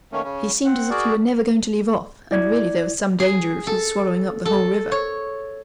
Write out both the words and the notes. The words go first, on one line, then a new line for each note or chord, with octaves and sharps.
He seemed as if he were never going to leave off, and really there was some danger of his swallowing up the whole river.
D#3 A3 A#3 C#4
C#3 C#4
C4 F#5
F#4 G#4 A#4 D5
E4 D5 G#6
G#4
A4
A4
C#5